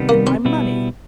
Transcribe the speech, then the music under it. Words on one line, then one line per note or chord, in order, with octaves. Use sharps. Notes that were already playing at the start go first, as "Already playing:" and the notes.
And my money!
Already playing: C3 D#3 G3 B3
A#3
C4
B2 G3 B3 E4